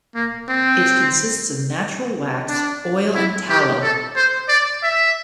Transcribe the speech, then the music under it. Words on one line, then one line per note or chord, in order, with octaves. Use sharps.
It consists of natural wax, oil and tallow.
A#3
C4
D4
E4
G4
A4
C5
D5
E5